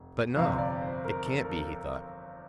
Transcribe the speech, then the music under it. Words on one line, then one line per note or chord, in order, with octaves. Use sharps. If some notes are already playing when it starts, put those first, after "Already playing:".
"But no, it can't be!" he thought.
Already playing: F1
G1 F2 C3 F5
D5
C5
A#4
A4
A#4
A4